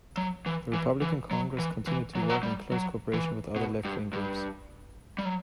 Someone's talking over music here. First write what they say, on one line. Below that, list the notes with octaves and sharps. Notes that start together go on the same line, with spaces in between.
The Republican Congress continued to work in close co-operation with other left-wing groups.
F#3
E3
E3
E3
F#3
E3
E3
F#3
E3
F#3
G3
F#3
E3
B2
G2
G2
G3
F#3